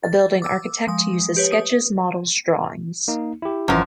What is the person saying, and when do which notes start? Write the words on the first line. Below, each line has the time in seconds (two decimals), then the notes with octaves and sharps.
A building architect uses sketches, models, drawings.
0.03 A6
0.42 D6 E6
0.87 F3 G#3 D#6
1.37 G4 B4 C#5
1.52 D#6
3.08 A#3 D#4
3.42 E4 G4
3.68 G#1 F#2 E3 F3